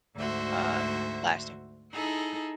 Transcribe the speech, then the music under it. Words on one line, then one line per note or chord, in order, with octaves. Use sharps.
um, lasting?
D2 G#2 D3 F#4 C5 E5
D#4 E4 G#4 A4